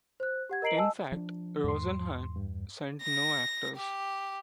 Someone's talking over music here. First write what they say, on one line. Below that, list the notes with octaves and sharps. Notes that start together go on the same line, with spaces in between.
In fact, Rosenhan sent no actors.
C5 F#6
G4 F#5 G#6
A#4 D#5 A#5 C7 D7 F#7
D#5 G#5 A5 E6
F3 D4
E2 G#2 C6
G2
A#6
G4